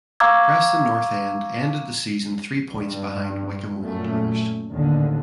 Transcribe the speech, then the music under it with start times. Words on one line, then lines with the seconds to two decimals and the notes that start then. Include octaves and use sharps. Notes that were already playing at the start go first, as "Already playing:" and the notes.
Preston North End ended the season three points behind Wycombe Wanderers.
0.20 F5 A#5 C#6 D6 E6 G#6
2.70 G2
3.82 F#2 A#2 A3
4.71 A1 D#2 D3